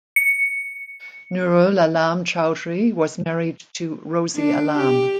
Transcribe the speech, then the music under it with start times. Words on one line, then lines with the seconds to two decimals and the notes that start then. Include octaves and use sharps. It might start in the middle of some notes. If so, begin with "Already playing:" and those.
Nurul Alam Chowdhury was married to Rosy Alam.
0.16 C#7
4.35 D4
4.77 G4